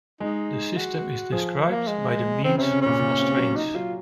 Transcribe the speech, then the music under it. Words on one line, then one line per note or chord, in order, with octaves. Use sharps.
The system is described by the means of constraints.
G#3 D#4
F#4
F3 G#4
A#3
G#3
C#3 C4
C3 C4 C#4
C#3
A#2 C#4
A#2
C3
F#3
D#4
F#3 F4